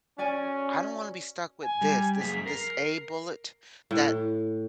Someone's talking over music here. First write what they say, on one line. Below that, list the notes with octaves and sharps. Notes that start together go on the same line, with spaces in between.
I don't wanna be stuck with this. This this a bullet that
C#4 F#4 D5 G#5
G#5
G3
F#2 G#4 B6
A#4 C7
A2